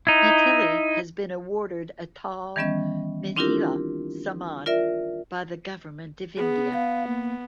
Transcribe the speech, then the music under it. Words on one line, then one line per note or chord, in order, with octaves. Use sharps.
Maithili has been awarded Atal Mithila Samman by the Government of India.
D#4 E4
D#3 E3 G3 B3 C#4 D#5
C4 D4 E4 F4 G4 A#4
F4 A#4 D5 E5
B3 G#4
F5
A#3